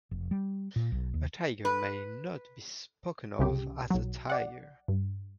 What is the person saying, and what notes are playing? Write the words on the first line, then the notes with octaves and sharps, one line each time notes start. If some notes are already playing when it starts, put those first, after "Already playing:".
A tiger may not be spoken of as a tiger.
F1
G3
A#2
B1
D#2
B4
C2 C#3 G4
B1 F#3
D5 F#5
G2